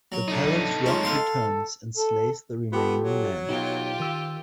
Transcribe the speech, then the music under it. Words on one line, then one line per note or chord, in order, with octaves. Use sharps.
The parent Roc returns and slays the remaining men.
F#3
A3 D4 D#4
G#3 C#4 F4
A4 F5 C6
A4
B3 F4 G4 A4
F#3
B2 D#4 F4 G4
D#3 E6